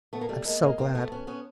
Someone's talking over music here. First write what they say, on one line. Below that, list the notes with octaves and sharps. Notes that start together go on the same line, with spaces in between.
I'm so glad.
A3 B3
A#3
G3 A3
G#3 A#3
G#3 A#3
A#3 C4
A3 B3
B3 C#4
B3 C#4